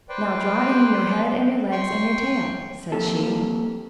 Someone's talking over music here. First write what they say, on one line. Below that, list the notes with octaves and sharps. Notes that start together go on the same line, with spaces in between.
'Now draw in your head and your legs and your tail,' said she.
B4 C5 D5 G5
G5 C6 C#6
F3 A#3 C4 G4 A4